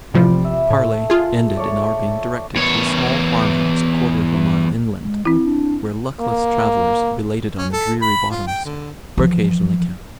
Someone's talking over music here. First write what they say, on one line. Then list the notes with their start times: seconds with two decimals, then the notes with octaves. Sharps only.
The parley ended in our being directed to a small farm-house a quarter of a mile inland, where luckless travelers, belated on the dreary bottoms, were occasionally kept.
0.14 A1 C3 F3 G3
0.44 E5
0.70 A2 A3
1.10 F4 G#4
1.57 A3 C#5 D5
2.56 E2 C#5
5.03 G#3
5.25 E3 C4 E4
5.44 D4
6.20 A#3
7.58 C#4
7.72 A4
8.02 B5
8.31 F4
8.47 G5
8.65 D3
9.18 E3 F3